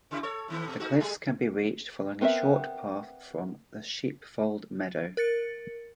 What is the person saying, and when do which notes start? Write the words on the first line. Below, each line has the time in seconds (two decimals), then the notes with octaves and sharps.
The cliffs can be reached following a short path from the Sheepfold Meadow.
0.11 C#3 E4 G4
0.23 A4 C#5
0.48 A2 D#3 B3
0.67 B2
0.80 D#4 F#4
1.00 G3 A3 G#4
2.21 B3 C4 A#4 C5 E5
5.17 A#4 A6 C#7